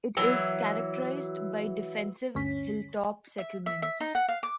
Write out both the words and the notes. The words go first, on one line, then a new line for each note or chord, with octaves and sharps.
It is characterized by defensive hilltop settlements.
E3 F#3
D2 G2 C#4 B6
E5
E5
E5
D#4
F#5
F5
D6